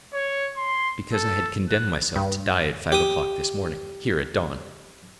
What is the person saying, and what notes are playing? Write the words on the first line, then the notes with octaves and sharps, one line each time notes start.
Because I had condemned myself to die at five o'clock this morning, here, at dawn.
C#5
C6
A4
F#6
G2
G4 D#6